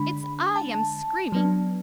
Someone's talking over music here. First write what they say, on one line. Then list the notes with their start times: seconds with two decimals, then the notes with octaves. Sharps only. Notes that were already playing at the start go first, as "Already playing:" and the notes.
It's I am screaming.
Already playing: D3 G#3 D4 B5
0.56 A5
1.32 F#3 B3 D4